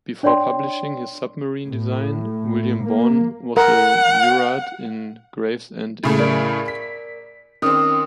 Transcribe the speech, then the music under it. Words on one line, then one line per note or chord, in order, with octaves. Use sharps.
Before publishing his submarine design, William Bourne was a jurat in Gravesend, England.
D4 C#5 D5 G5 C6
A2
A#3
A#4 F#5
A2 C#3 A3
A#4 D5 D7
B6
D#3 C4 C#4 D#6